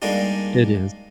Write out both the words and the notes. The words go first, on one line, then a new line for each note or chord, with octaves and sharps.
It is.
G3 G#3 A#3 D4 D#4 G4